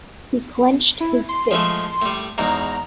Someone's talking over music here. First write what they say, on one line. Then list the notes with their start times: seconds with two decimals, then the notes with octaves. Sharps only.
He clenched his fists.
1.00 E4
1.29 C6
1.51 F3 G#3 A3
2.02 A2 G3
2.38 E2 G#2 B2 A#5